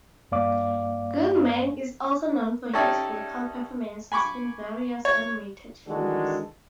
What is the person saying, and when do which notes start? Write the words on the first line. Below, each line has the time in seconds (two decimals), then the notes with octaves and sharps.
Goodman is also known for his vocal performances in various animated films.
0.32 G2 A#3 D5 F5 D6
2.73 C#4 D#4 G4 A4 D5 E5
4.12 G#5 B5 C#6 D6
5.05 C#5
5.88 D#3 E3 G#3 D4 F#4 A4